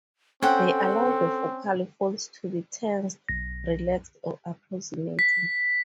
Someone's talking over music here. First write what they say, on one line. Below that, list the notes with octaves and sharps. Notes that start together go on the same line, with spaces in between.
They allow the vocal folds to be tensed, relaxed, or approximated.
C4 C#4 A4 F#5 G5
B1 A#6
B6